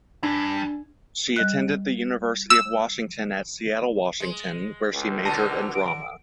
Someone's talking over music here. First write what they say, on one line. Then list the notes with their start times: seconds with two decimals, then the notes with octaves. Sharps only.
She attended the University of Washington at Seattle, Washington, where she majored in drama.
0.23 G2 D4
1.36 G3 D#5 F#6
2.50 E6
4.20 G#3
4.94 C#2
5.25 B2 D3 F#3 A5 A#6 D#7
5.75 D7